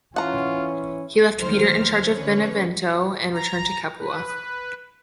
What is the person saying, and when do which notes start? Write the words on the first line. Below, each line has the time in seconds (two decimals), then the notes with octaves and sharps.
He left Peter in charge of Benevento and returned to Capua.
0.16 E3 C#4 F4 F#5 A#5
1.38 D2 D#3 E3 F#3 C5 F6
2.13 D3 F3 C#4 B4 C#5
3.32 A#5
3.95 B4